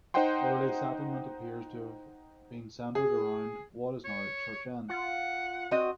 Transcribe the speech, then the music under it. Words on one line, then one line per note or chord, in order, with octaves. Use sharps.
Early settlement appears to have been centred around what is now Church End.
D#4 C5 D#5 F#5 G5 C6
G#4
C#5
F4 F#5
C4 F#4 D#5